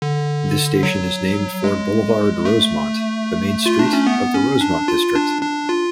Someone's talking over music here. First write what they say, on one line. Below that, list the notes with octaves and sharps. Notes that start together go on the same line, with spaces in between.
This station is named for boulevard Rosemont, the main street of the Rosemont district.
D3
F#3
G#3
A3
F4
D4
C#4
B3
C#4
D4
F4
D4
D4
F4